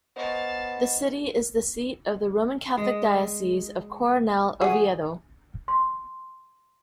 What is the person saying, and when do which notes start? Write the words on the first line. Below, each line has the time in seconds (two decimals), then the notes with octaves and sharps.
The city is the seat of the Roman Catholic Diocese of Coronel Oviedo.
0.16 B3 C5 D#5 F5 A5 C#6
2.78 G#3
4.61 E3 F#4 G#4
5.68 C6